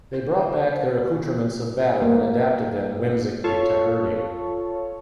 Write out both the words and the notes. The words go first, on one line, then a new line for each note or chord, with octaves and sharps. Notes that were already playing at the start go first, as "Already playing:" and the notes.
They brought back their accoutrements of battle and adapted them, whimsically, to herding.
C5
A#3
F4 A4 C#5